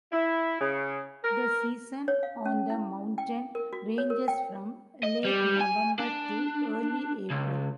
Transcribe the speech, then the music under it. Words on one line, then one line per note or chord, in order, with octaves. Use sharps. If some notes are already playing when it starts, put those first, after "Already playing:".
The season on the mountain ranges from late November to early April.
E4
C#3
A#4
C#5
F5
C#4
E4
G5
A#4
F#4
C#5
A#4
G5
D#5
G3
G#5
D4
C#2